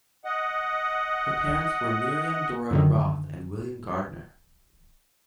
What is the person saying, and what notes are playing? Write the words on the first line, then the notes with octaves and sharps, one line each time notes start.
Her parents were Miriam Dora Groth and William Gardner.
D#5 F#5
F#2 D3 D#3